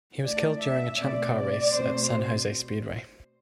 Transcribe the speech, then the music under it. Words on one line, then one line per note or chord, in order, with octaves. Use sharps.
He was killed during a champ car race at San Jose Speedway.
E3 A3 D4 D5
E5
B2 A3 C4 D5
D5
B2 A3 C4 C5